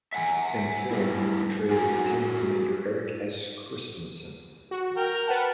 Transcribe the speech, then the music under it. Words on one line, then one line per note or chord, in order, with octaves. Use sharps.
In the film, he portrayed Lieutenant Commander Erik S. Kristensen.
E5 F#5 G#5
A2 G3 E4
F#4 A4 A#4 G#5
F#4
A#4 G5
B4 F#5 A5